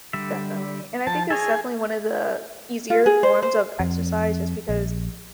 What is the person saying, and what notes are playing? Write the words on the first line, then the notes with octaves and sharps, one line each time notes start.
Definitely, and I think it's definitely one of the easier forms of exercise just because,
D3 G3 E5
F3 A5
G#4 A4 C#5 D#5
F4
G#4
C5
C5
F2
A#1